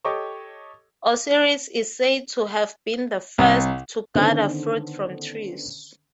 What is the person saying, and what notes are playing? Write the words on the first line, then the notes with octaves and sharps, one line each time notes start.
Osiris is said to have been the first to gather fruit from trees.
G4 A4 C#5 D#5 C#6 D6
C2
D3 D#3 B3 C#4 A4 C5